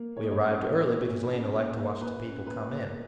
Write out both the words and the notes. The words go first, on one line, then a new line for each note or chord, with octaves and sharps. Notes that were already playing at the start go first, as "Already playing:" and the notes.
We arrived early, because Lena liked to watch the people come in.
Already playing: A#3
A#2 C#5
D#5
C#5
C#4
A#2
A#3
A#2
C#4
A#2
A#3
A#2 B4
C#4
A#2 B4
A#3